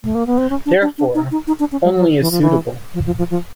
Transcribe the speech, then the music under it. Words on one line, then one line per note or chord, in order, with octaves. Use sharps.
Therefore, only is suitable.
A3
A#3
B3
C4
C#4
D4
D4
D4
D#4
D#4
D#4
D4
C#4
G3
F#3
E3
F3
E3
F3
F3
F3
F3